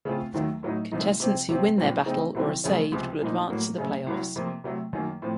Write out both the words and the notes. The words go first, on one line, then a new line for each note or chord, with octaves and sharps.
Contestants who win their battle or are saved will advance to the Playoffs.
C#3 A3 C4 F4
D#2 D#3 F#3 A3
A2 F#3 A3 D#4
C2 C3 F3 A3 D#4
C3 F3 C4
C3 F#3 C4
C2 A#2 F#3 C4
C#3 A3 C4 D#4
C2 C3 D#3 F#3 C4
F2 C#3 F3 A3 C#4
C#2 C3 F3
C2 A#2 F3 A#3 D#4
A2 F#3 A#3
F#2 C#3 A3 C#4
C2 C3 F#3
F2 C3 F3 A#3
C3 F#3 A3
F#2 D#3 F#3 A#3
A2 F3 C4